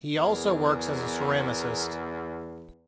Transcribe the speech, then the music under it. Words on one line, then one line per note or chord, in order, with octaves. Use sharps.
He also works as a ceramicist.
E2 B2 G#4 A#4